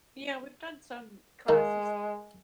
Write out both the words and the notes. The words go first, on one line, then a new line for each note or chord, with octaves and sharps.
Yeah, we've done some classes
D#3 G#3 A#3 F5